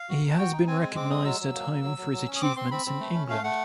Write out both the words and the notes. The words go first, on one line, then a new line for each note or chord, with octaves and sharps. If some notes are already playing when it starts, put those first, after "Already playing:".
He has been recognised at home for his achievements in England.
Already playing: F5
F#4
A#3
F#4 G5
D#4
C4 G#5
G#3 G#5
C4 D6
G#3 D#6
F#3 E6
F#3
A#3
F#3
F#3
F#3
F#3
C#4
D#6
C4 D6
C4 C6
C4 B5
C4
A3
C#4
A3 F5
A3 F#5